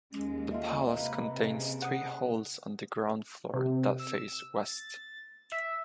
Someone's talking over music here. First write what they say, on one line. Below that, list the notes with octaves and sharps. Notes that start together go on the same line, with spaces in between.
The palace contains three halls on the ground floor that face west.
D#2 G#3 C#4
A3 F4 D#5
C3 A#3 B4
C#3
D#5 F#5 D#6
C3
E6
A6
E5